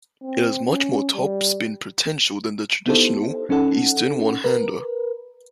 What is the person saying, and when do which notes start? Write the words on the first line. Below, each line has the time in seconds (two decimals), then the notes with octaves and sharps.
It has much more topspin potential than the traditional Eastern one-hander.
0.23 C4
0.66 C#4
1.14 G3
2.86 B3 D#4 E4 G4 A4 C5
3.49 F#3 C#4 D#4 A4 F#5
4.44 A#4 B4